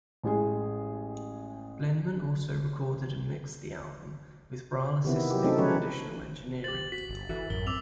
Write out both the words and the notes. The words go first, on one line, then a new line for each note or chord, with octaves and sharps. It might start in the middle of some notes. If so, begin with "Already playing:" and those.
Blinman also recorded and mixed the album, with Brahl assisting with additional engineering.
A1 G#3 G#4
C3 D#3 B3 E4
F#3 G4
E3 A3 C4 C#4 D#4 A4
C#3 E3 F3 G#3 B4 C#5
G4 C5 A6 F#7
F#4 B6
G1
D#2 E3 F#4 A4 E5
A1 F#2 A#4 G7
C4 D6 E6 F7